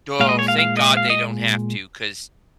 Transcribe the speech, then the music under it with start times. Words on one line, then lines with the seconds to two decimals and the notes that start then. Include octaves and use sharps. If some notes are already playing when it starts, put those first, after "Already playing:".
Duh, thank God they don't have to 'cause
0.20 A#2 G#3 F5
0.29 D#5
0.39 C#5
0.48 F5
0.58 F5
0.77 D#5
0.97 F5
1.10 D#5